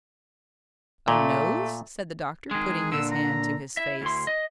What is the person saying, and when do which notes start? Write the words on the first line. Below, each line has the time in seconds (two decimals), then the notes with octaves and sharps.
"A nose?" said the doctor, putting his hand to his face.
1.08 A#2 A3
2.51 D#3 G#3 G#4
2.92 A#2 D3 E6
3.11 A#5
3.77 E4 E5
4.02 D2 C6
4.27 D#5